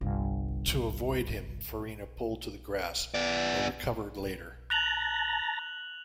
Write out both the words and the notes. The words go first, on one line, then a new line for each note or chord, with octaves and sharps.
To avoid him, Farina pulled to the grass but recovered later.
G1 C2
B3 D5
A5 A#5 F#6 F7 F#7